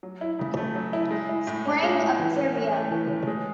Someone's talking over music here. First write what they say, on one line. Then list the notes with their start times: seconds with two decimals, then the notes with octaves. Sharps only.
Spring of Trivia.
0.03 F#3
0.21 E4
0.39 C#3
0.57 A3
0.75 F#3
0.93 E4
1.11 G#3
1.29 E4
1.47 A2
1.65 C#4
1.83 G#3
2.01 E4
2.19 E3
2.36 C#4
2.55 A2
2.73 A3
2.91 E3
3.08 C#4
3.27 G#3